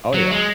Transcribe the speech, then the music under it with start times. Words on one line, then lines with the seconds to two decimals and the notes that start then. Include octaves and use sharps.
Oh, yeah.
0.14 F#3
0.31 G#3